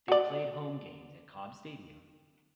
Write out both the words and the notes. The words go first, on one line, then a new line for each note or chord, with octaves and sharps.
They played home games at Cobb Stadium.
F#4 D5